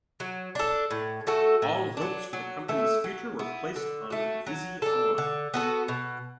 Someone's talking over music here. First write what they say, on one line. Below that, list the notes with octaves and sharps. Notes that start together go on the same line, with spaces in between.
All hopes for the company's future were placed on Visi On.
F#3
D4 A4
A2
A3 F#4 A4
A2
F#3 D4
F#3
A3 E4 A4
F#3
B3 E4
D3
A3 F#4
F#3
D4 A4
D3
B3 F#4 A4
B2